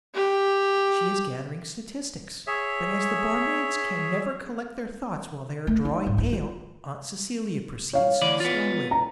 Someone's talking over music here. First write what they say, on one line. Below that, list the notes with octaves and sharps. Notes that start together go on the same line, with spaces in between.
She is gathering statistics, but as the barmaids can never collect their thoughts while they are drawing ale, Aunt Celia proceeds slowly.
G4
G#4 C#5 E5
A3
D#4
G#2
E4
F4
C#5 F5
D2 E3 D5
B3 F4
A#5